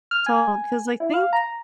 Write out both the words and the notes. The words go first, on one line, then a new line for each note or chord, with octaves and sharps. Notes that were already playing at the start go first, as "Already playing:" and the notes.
talk “'cause I think
F6
G#5
E4
F5
A#5